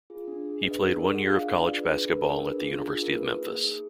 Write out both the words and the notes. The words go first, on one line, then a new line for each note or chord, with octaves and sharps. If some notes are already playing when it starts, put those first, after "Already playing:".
He played one year of college basketball at the University of Memphis.
F4 G#4
D4
G#4
D4 B4 D#5
G#4
D4 A#4 D5
F4 G#4 F#5
F5
D4
D#5
F4 G#4 D5
D4 B4
G#4 B4
D4 B4
A#4
G#4 B4
A#4
D4
F4 G#4
D4
F4 G#4
A#4
A#3 B4
D#4 G#4
A#3
D#4 G#4